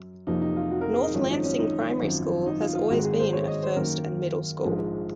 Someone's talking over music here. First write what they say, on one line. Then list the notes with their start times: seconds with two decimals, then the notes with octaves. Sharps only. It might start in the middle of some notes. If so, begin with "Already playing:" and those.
North Lancing Primary School has always been a first and middle school.
Already playing: F#2
0.27 F1 F2 C3 F3 A#3 D#4
0.42 D#4
0.56 F4
0.71 F#4
0.81 A#4
0.93 G#4
1.03 D#4
1.14 G#1 F#2 F3 G#3 C#4
1.29 D#4
1.44 C#4
1.59 D#4
2.02 G#1 F#2 F3
2.46 D#4
2.60 F4
2.75 F4
2.89 G#1 G#2 D#3 G#3 F#4
3.04 G#4
3.19 C5
3.33 C#5
3.48 D#5
3.63 C5
3.76 F#2 D#3 A#3 A#4
4.64 A#1 G#2 F3 G#3